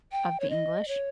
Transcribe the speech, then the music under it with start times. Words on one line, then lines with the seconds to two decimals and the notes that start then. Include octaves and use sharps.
of the English.
0.12 G5
0.40 C#5
0.50 D#5
0.88 C#5